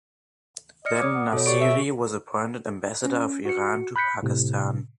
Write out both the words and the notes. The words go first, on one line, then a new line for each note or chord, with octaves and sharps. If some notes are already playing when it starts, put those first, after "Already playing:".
Then Nassiri was appointed ambassador of Iran to Pakistan.
D5 D#5 F6 C#7
C#5 D6 D#6
B3
B2 A4 C#5
G4 D5 C#6 D7
E5
C#4
F#4 C#7
B5 F#6 G6 B6 C#7
A2 C3